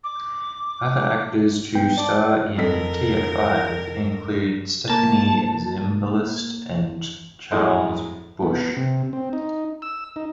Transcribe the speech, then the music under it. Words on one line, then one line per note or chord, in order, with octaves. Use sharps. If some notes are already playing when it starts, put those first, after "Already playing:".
Other actors to star in "Tea at Five" include Stephanie Zimbalist and Charles Busch.
D6
G2 B3 G5
D5 A5 D6
F2 A4 A#4 B6
A#3 A5
F2 A2 G#3 A4 D#5 C6
B3
C3
C4
D#4
E6
D#4